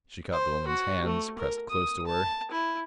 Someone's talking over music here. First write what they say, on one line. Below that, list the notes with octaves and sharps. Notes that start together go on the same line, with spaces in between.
She caught the woman's hands, pressed close to her.
C5
F#4
A3
A#4
D#6
A5
E4